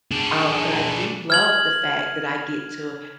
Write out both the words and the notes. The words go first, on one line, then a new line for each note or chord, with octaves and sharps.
Um, but I do love the fact that I get to
D4 G#4
F6 G#6 F#7